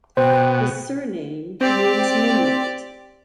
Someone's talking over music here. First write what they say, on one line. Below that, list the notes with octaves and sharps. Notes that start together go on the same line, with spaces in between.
His surname means "midnight".
B2 C5 G5
C4 G4 D5